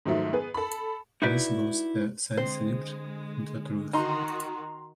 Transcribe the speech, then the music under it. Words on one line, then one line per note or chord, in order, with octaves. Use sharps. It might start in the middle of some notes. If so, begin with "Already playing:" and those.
This was a side-slip into truth.
G#2 D#3 F3 F#3 A3
B3 G#4 B4
A4 B5
D#4 E4 F#4 B4 D5
D3 G#3 C4 C5
D#3 D#4 F#4 A#5 C6